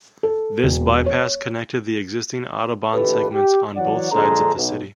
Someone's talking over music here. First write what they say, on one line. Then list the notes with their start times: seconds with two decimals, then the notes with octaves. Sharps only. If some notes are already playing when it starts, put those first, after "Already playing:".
This bypass connected the existing Autobahn segments on both sides of the city.
0.23 A4
0.63 E1
1.06 C#5
2.92 G#1 C#2 A3 G4 A4 B4
3.30 G4
3.76 E3 F#3 C#5 D5 F#5
4.11 A#1 D3 G#3 A4 C5 A#5
4.55 B1